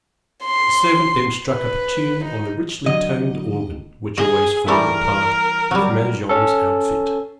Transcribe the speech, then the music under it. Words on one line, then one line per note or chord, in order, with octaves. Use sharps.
The servant then struck up a tune on the richly-toned organ which always formed a part of Mangin's outfit.
C6
B4
D#4
D3 F#3 D#5
G#4 D#5
E3 G3 A3 A#4
F#3 G3
C#4 A4